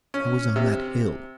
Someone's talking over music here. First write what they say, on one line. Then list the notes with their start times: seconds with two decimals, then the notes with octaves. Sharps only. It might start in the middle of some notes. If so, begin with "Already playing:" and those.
"I was on that hill."
0.14 C#4
0.56 C3